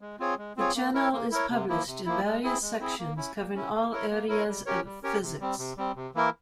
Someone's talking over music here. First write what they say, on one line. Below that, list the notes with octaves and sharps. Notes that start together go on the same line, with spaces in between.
The journal is published in various sections, covering all areas of physics.
G#3
C4 F4 G#4 C#5
G#3
C4 F4 G#4 C#5
A#3
E4 A#4 C#5
A#3
E4 A#4 C#5
C3
F3 A#3 E4
C3
F3 A#3 E4
G#3
C4 E4 G#4
G#3
C4 E4 G#4
A#3
C#4 E4
A#3
C#4 E4
A#3
E4 A#4 C#5
A#3
E4 A#4 C#5
G3
C#4 G4 A#4 C#5
G3
C#4 G4 A#4 C#5
C3
G3 C4
C3
G3 C4
C3
E3 A#3 E4 A#4